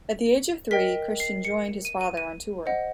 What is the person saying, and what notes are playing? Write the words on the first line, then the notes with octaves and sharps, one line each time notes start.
At the age of three, Christian joined his father on tour.
A#4 D#5 G5 B6
C7
C#7
D#7
D#7
D#7
C5 D#5 F#5